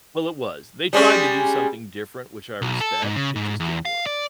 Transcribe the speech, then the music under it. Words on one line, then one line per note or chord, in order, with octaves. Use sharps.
Well, it was. They tried to do something different, which I respect. It just didn't work.
G3 G#3 C#4
B1
A4
G#2
C#3
G#2
E2
F5
D5